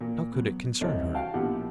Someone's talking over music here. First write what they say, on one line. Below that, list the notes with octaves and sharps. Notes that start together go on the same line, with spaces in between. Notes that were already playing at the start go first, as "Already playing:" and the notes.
How could it concern her?
A#2
F#3 B3
C2 C3 C4 D#4 A4 C#5
F#4 F5 G5 A5
A#1 B2 F3 E4 G4 F#5